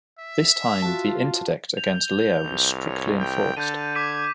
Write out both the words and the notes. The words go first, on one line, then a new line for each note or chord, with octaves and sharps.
This time the interdict against Leo was strictly enforced.
E5
F4 F#4 A5
G6 F7
C2
C#5
G5
D3 A4 G6 D#7
D6 G#6 B6 D#7